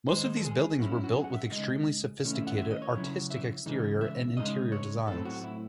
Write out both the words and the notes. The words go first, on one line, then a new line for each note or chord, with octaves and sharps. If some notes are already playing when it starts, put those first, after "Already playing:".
Most of these buildings were built with extremely sophisticated artistic exterior and interior designs.
D#3 G#3 D#4 C5
A4
G#4
F#3 C#4 E4 F#4
E4
F#4
G#4
F#5
E5
C#3 G#3 D#4 D#5
C3 D#3 A3 C#4 E4
E5
F#5
E5
D#5
C#5
C#3 F#3 C#4 E4
E5
C#3 E3 G#3 D#4
E5
C#3 G#3 D#4 D#5
C#5
A2 F#3 A3 C4 E4 A4
F#4
E4